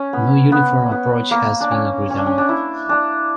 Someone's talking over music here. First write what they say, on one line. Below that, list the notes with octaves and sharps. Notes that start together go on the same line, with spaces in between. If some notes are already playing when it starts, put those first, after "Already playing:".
No uniform approach has been agreed on.
Already playing: C#4
B3
B3
B3
A#3
D4
C#4
C#4
D4
C#4
D4
E4
D4